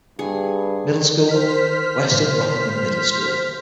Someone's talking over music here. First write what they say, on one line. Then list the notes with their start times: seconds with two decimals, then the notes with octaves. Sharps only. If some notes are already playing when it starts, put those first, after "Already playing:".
Middle School: Western Rockingham Middle School.
0.19 G2 G#4
1.29 C5 F6 B6